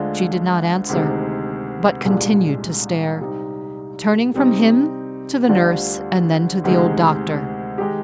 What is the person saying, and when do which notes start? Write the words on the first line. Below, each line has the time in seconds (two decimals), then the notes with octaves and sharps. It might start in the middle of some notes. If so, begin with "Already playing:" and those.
She did not answer, but continued to stare, turning from him to the nurse and then to the old doctor.
Already playing: D2 D3 G#3 D4 F4
0.89 D2 C3 D#3 G#3
2.05 C2 A#2 G#3 D4 G4
3.19 C3 G3 C4 D#4
4.34 C3 G3 C4 D#4 G4
5.48 D2 D3 G3 D4 F4
6.64 D2 C3 D#3 G#3
7.78 D#3 G#3 D#4 G4